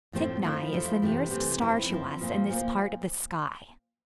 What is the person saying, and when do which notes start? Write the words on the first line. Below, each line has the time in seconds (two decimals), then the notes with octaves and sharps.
Cygni is the nearest star to us in this part of the sky.
0.13 A2 F3 A3 C4
0.43 F3 A3 E4
0.73 F3 A3 E4
1.02 C3 E3 A3
1.31 C3 E3 A3
1.61 F3 C4 E4
1.90 F3 C4 E4
2.20 A#2 F3 A#3
2.50 A#2 F3 A#3